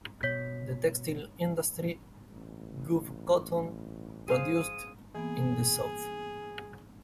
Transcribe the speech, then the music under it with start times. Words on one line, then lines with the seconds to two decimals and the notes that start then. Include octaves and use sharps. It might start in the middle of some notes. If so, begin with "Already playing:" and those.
The textile industry wove cotton produced in the South.
0.23 B2 C#5 B6
2.31 A1
4.28 G#4 C5 F5 D#6
5.15 E3 A#3 B3 G#4